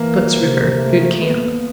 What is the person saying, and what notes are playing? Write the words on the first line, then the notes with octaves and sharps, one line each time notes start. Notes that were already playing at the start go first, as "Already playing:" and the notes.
Soot's River.--Good camp.
Already playing: E3 A#3
C3
A3
A#3 B3